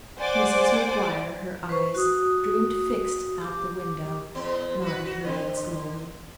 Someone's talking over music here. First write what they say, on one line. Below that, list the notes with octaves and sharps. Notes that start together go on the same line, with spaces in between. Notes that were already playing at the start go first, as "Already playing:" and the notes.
Mrs. McGuire, her eyes dreamily fixed out the window, nodded her head slowly.
C5 D5 F#5 G#5 C6 D6
B4 C5 C#6
F#4 D#6
G4 D6
E2 C4
F#4 B4
F#4
D3 C4